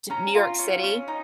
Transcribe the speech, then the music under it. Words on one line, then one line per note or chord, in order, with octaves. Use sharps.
t New York City.
C#4 A#5
F4
C#4
C#4
D#4